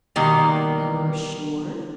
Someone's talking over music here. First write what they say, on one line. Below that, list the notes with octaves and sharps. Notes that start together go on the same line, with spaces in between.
"You are sure?"
B2 D#3 G3 A#3